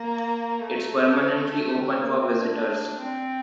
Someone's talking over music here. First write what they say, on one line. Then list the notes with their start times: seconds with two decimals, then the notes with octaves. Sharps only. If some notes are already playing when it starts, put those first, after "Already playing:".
It’s permanently open for visitors.
Already playing: A#3
0.60 A3
1.80 C3
1.99 A#3
2.20 C4
2.40 D4
2.99 C4